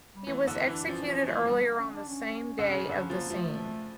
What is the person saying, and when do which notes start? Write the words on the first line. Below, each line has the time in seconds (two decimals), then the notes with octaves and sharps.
He was executed earlier on the same day of the scene.
0.15 G3
0.27 E3 A3
0.42 A#3
0.48 D3
0.67 E3
0.73 D4
0.88 F3 C#4
1.08 F3 C#4
1.28 E3 A3
1.48 D3 G3
1.64 A#3
1.79 C#4
1.94 D4
2.09 C#4
2.59 D3
2.69 C#3 C#4
2.85 D3 D4
2.99 C#4
3.10 F3
3.15 A#3
3.30 F3 A3